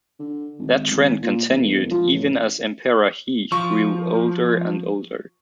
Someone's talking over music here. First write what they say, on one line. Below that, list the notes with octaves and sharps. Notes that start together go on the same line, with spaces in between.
That trend continued even as Emperor He grew older and older.
D3
G#1
G#1
A#2
E1
F3
A1
F3 C#6